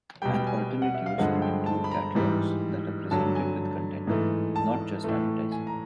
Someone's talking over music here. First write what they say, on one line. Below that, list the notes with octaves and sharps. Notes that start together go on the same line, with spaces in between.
An alternate use can include catalogs that are presented with content, not just advertising.
B2 G3 G5
G5
G#5
F#5
E5
F5
G2 D3 F3 G#3 F#5
G5
A5
B5
A#5
G#2 E3 G3
G2 D3 F#3 A5
G#5
G#2 E3 A3
A5
A2 E3 A3
G#5
A#5